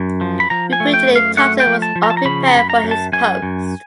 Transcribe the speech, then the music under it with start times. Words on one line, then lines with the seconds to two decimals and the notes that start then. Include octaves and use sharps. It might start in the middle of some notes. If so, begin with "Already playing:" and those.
Reputedly Thompson was unprepared for his post.
Already playing: F#2
0.21 F3
0.40 B5
0.50 F3 A#5
0.73 G#5
0.80 A3
0.94 G5
1.09 F#2
1.16 F5
1.37 A3 F#5
1.60 G5
1.67 F3
1.82 A5
1.96 F3
2.03 A#5
2.10 A5
2.17 A#5
2.25 C#3 B5
2.47 A#5
2.55 F#2 B5
2.70 A#5
2.84 F#2
2.91 A5
3.13 F#2 G#5
3.42 F#2